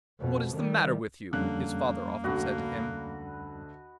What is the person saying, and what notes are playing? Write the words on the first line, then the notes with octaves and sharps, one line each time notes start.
'What is the matter with you?' his father often said to him.
F2 B2
D#3 G3
F2 D3 G3 A#3 C#4 F#6
D2 D3 F#4 B4 D#5